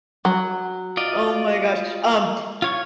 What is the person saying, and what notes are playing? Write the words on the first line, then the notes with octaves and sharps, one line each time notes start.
Oh my gosh, um,
F#3
F4 D5 D#5
F4 C#5 C#6